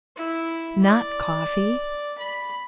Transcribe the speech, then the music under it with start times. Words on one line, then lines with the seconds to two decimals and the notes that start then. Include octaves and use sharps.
Not coffee.
0.17 E4
0.83 D5
2.19 B5